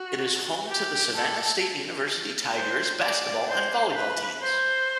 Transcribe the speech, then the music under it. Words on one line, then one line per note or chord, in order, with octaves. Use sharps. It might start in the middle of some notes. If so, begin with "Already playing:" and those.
It is home to the Savannah State University Tigers basketball and volleyball teams.
Already playing: F#4
G4
A4
C5
D5
C5
B4
C5